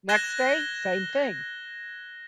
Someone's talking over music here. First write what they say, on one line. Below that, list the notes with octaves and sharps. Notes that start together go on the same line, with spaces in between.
Next day, same thing.
F#6 G#6 A#6 E7 G7